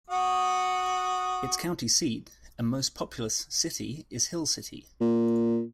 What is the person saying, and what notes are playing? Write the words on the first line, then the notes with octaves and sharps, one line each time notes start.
Its county seat and most populous city is Hill City.
F#4 F#5 D#6
A#2